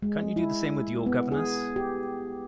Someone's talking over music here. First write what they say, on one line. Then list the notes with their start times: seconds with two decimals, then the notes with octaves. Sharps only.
Can't you do the same with your governess?
0.02 G#3
0.36 E4
1.06 B3
1.32 G#4
1.76 G4